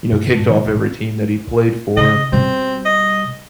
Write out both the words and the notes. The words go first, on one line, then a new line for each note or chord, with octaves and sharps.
you know, kicked off every team that he played for
G2 B2
G2 A#2 G#3 A3
B2 D#3 F3 G3
F1 A#1 A2
C#3 D#5
B2 G3 C4
D#5